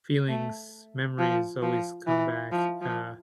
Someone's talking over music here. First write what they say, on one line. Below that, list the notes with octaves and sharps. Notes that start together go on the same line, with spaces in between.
feelings, memories always come back, uh,
A3
F3
F3
E3
F3
F3